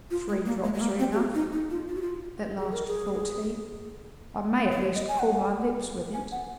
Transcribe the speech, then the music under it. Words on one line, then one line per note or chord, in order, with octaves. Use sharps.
"Three drops are enough," at last thought he; "I may, at least, cool my lips with it."
F4
G#3
A#3
G#3
G#3
A#3
C4
G#4
F#4
D#4
D#4
F4
F4
F#4
F4
G#4
A#4
G#4
C#5
D#5
G#5
F#5
G#5
F#5